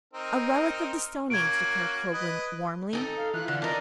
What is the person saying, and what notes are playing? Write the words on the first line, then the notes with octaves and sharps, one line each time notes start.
"A relic of the stone age," declared Coglan, warmly.
C4 D#4 A#4
A#3 C#4 F#4 G#6 D7
B4 D#5
D#4 G#4 A4
F5
E3 F4 F#6
D3
D4 D#4 A#4